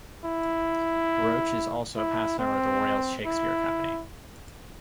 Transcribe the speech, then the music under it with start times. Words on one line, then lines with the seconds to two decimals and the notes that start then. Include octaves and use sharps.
Roache is also a past member of the Royal Shakespeare Company.
0.24 E4
1.96 E4
2.39 C4
3.25 E4